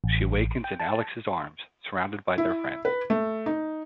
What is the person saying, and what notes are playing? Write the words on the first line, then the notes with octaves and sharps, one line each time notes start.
She awakens in Alex's arms, surrounded by their friends.
A1
G5
A5
E4
B4
A3
D#4